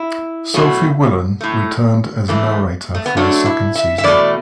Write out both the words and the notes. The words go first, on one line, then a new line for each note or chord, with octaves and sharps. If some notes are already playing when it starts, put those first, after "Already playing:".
Sophie Willan returned as narrator for the second season.
Already playing: E4
B2 F#3 A3
A2 A3
E2 E3 A3
A3
B3
F#2 F#3 A3 D4
E4
E5
E5
E2 B2 A3 D5